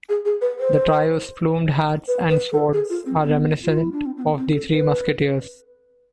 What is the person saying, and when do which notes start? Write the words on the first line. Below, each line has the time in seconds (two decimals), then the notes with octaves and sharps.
The trio's plumed hats and swords are reminiscent of the Three Musketeers.
0.09 G#4
0.25 G#4
0.41 B4
0.59 C5
2.08 B4
2.29 B4
2.52 A4
2.73 G#4
2.90 F4
3.06 C4
3.22 B3
3.64 F4
3.78 E4
3.92 D4
4.06 C4
4.17 C4
4.22 B3
4.38 C4
4.55 A4
4.71 B4